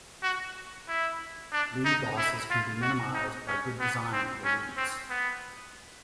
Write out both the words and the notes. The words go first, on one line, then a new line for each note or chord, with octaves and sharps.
Lead losses can be minimized by good design of the leads.
F#4
E4
D4
D#4
E4
F4
F#4
D#4
C#4
B3
C4
C#4
C4
B3